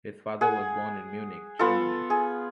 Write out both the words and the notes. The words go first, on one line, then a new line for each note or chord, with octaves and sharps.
His father was born in Munich, Germany.
G#4 F#5
B3 F4 A4
G#4